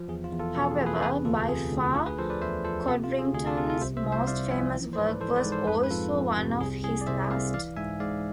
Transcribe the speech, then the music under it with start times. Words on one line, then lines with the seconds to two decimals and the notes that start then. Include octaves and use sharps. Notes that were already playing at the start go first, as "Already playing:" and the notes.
However, by far Codrington's most famous work was also one of his last.
Already playing: F3
0.08 E2 G#4
0.24 F4
0.32 E2
0.39 F4 A4
0.55 B2 F4 A4
0.71 G#4
0.78 E2
0.86 G#4 B4
1.01 C3 G#4 B4
1.25 D2 F4 A4
1.48 C3 G#4
1.72 D2
1.95 D3 F4 A4
2.06 G#4 B4
2.18 F3 A4 C5
2.30 B4 D5
2.42 E2 C5 E5
2.65 F3 A4 C5
2.88 C3 F4 A4
3.04 F4
3.11 C3
3.19 G#4
3.34 D2 G#4
3.46 F4 A4
3.57 C3 F4 A4
3.70 F4 A4
3.81 C2 C5 E5
3.97 C5 E5
4.05 C2
4.12 C5 E5
4.27 C2 D5 F5
4.51 F3 E5 G#5
4.74 E3
4.93 C5
4.98 G#2 B4 D5
5.21 E3 A4 C5
5.37 B4 D5
5.44 G#2
5.52 A4 C5
5.67 F2 G#4 B4
5.83 B4
5.91 F2 F4 A4
6.14 F2
6.38 C3
6.61 C2 G#4
6.84 C2 G#4
7.01 D5
7.07 C2 C5 E5
7.30 C2 D5 F5
7.54 E3 D5 F5
7.76 G#2 E5 G#5
8.00 G#2 D5 F5